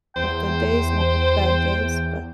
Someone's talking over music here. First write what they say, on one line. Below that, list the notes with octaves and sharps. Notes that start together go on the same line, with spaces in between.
I have good days, and I have bad days, but
E2 C5 G5